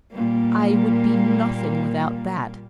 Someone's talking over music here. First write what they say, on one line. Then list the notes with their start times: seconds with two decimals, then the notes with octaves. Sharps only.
I would be nothing without that.
0.12 A#2 G3 A#3